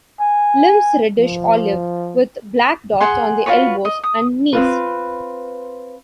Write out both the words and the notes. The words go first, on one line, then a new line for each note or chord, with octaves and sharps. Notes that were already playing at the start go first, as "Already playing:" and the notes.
Limbs reddish olive, with black dots on the elbows and knees.
G#5
F3
G#4 F#5 C6
F4 F#4 B4 C#5
D#5
D#6
C4 F4 B4